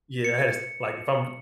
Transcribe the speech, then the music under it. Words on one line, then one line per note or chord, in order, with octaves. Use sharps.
Yeah, I had this Like, if I'm
C#7